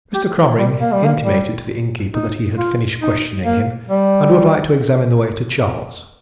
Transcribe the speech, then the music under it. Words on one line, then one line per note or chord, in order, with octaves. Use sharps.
Mr. Cromering intimated to the innkeeper that he had finished questioning him, and would like to examine the waiter, Charles.
G4
G3
A#3
G3
A#3
G3
D#4
F4
D#4
A#3
G3